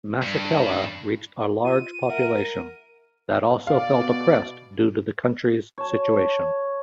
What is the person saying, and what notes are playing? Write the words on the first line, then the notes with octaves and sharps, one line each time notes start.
Masekela reached a large population that also felt oppressed due to the country's situation.
G2
F4 D#7
A#4 E5 F#5
B2 D5 F5
C#5 A5